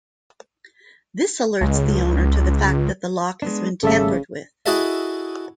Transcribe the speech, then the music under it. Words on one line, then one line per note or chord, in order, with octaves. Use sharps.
This alerts the owner to the fact that the lock has been tampered with.
C#2
G#3 B3 D4
G#1 C#3 G3 A3 A4 E5
E4 F#4 G#4 A4 D#5 E5